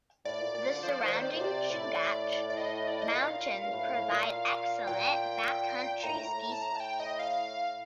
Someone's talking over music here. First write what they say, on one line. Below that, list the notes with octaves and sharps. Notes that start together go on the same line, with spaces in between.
The surrounding Chugach Mountains provide excellent back country ski slopes.
A2 D5
A#2
A#2 D5
D3
F3 C5
D5
C5
D#3 D5
C5
D5
A#2 C5
C3 D5
A2
D5
D#5
D5
D#5
A2
A#2 F5
G2
A2
A2
A#2
A#2 G5
A2 A#5
A2
A2
A5
A2 A#5
A5
G5
D#5
F5